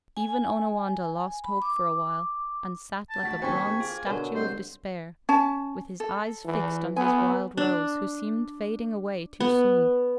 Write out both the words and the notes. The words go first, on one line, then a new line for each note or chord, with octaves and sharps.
Even Onawandah lost hope for a while, and sat like a bronze statue of despair, with his eyes fixed on his Wild Rose, who seemed fading away too soon.
G#5
B5
D6
A5
D2 F#4 B6
D#2 C#3 A#3 C4 G5 G#5 C#6 B6
F4 G#4
B2 D3 A#4 C#5
G3 G#3 C4 C5
C#4 A5
A4
E3
B3 G#5
D4
B3